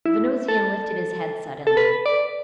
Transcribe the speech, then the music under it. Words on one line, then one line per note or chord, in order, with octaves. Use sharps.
The Venusian lifted his head suddenly.
E4
A4
A4
B4
D5